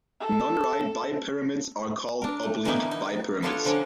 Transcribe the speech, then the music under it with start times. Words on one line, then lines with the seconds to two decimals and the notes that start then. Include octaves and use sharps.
Nonright bipyramids are called oblique bipyramids.
0.20 A4
2.22 D4 A#4
2.43 A3
2.65 D3 E3 G3 A#3 B3 D#4
2.91 D#4
3.42 B3 D4 F4 F#4 A4 C#5
3.65 D3 F3 F#3 C#4 D4